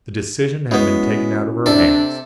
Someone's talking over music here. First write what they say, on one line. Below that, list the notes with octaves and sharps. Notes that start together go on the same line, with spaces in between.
The decision had been taken out of her hands.
G#3 B3 C#4 E4 F#4
C3 D4 A4 D5